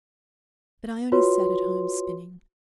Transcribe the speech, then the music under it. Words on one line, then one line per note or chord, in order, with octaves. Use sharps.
But Ione sat at home spinning.
F4 F#4 B4 C#5 C6